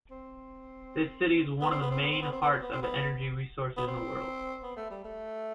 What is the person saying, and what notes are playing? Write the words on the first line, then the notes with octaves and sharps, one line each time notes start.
This city is one of main hearts of energy resources in the world.
C4
B3
C4
B3
C4
B3
C4
B3
C4
B3
C4
B3
C4
B3
B3
C4
B3
A3
G3
A3